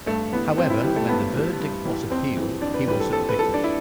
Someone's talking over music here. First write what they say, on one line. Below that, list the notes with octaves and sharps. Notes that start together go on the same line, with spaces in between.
However, when the verdict was appealed he was acquitted.
G2 A3
E3 G3 B3
G2 C4
E4
E3 G3 G4
A3
G2 B3
E3 G3
G2
E3 G3
F2 C4
E3 G3
F2 D4
B4
E3 G3 B4
A4
F2 A4
B4
E3 G3 A4
D4
E4